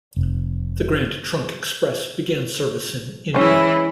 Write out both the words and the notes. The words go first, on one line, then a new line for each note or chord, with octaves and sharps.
The Grand Trunk Express began service in India.
F1
E3 G#3 C#4 E4